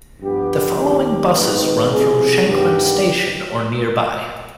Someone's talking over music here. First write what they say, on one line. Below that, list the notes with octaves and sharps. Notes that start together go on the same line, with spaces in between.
The following buses run from Shanklin Station or nearby.
G2 F3 B3 G4
D#2 D#3 G3 C4 G4
G#1 G#2 D#3 B3 B4
B4
C2 C3 F3 C4 G#4
G2 D#3 B3 G4